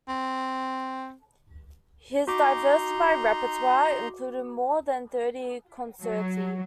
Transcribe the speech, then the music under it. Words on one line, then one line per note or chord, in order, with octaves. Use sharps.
His diversified repertoire included more than thirty concerti.
C4
D#4 F#4 A#5 C6 D6
F#3